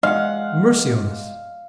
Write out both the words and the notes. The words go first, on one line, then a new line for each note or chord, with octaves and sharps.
Mercy on us!
G#3 F5 F#5